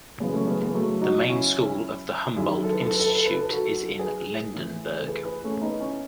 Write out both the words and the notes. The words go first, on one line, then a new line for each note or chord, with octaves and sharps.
The main school of the Humboldt Institute is in Lindenberg.
F#2 C#3 E3 G#3 B3
A3 C#4
G#3 B3
G#3 B3
F#3 A3
D#4 F#4
C#4 E4
F#2 D#3 E4 G#4
A4
B4
A4
B4
A4
B4
A4
B4
A4
B4
F#4 A4
G#4 B4
A2 E3
A4
G#4 B4
G#4 B4
A3 C#4
B3 D#4
C#4 E4